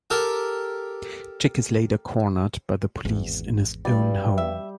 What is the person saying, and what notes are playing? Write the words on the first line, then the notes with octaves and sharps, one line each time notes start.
Chick is later cornered by the police in his own home.
G4 A4 A#4 G5 A5
G#1 E2
G2 G3 D5
E5